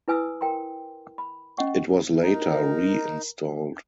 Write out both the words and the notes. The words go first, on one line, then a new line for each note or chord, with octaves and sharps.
It was later reinstalled.
E4 B4 G#5 D#6 E6
A#4 G5 A#5 C6
B5
C#4 D#5 F#5 C#6
D#4 A#4